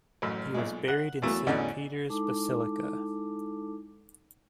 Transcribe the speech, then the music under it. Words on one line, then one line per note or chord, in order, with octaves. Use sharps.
He was buried in Saint Peter's Basilica.
A1 F#2
B1 A#2 G#3
F#5
E2 E3 F#3 A3 A#3
A1 E2 D3 C#4 D#4 F#4
G#3 D#4 E4 A4 A5 D6